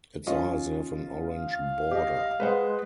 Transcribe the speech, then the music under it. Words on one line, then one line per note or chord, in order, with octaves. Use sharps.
Its eyes have an orange border.
C#4 F4 D#5
F5
G4 D#5
G#3 B4 C5 F#5